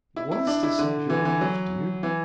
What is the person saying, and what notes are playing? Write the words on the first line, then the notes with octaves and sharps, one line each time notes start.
"It was to save your life, dear."
E4
E4
D4
E4
D3
E3
E3
F#3
E3